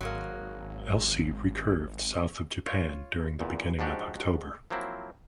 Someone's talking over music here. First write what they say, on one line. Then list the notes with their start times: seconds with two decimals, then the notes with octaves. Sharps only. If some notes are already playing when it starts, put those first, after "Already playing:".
Elsie recurved south of Japan during the beginning of October.
0.01 G#1 F#3 G#3 A#3
2.66 F4 C#5
3.40 E2 A#2
3.79 G#2 F3 D4 F#4 G4
4.70 F3 F#3 A#3 C4 E4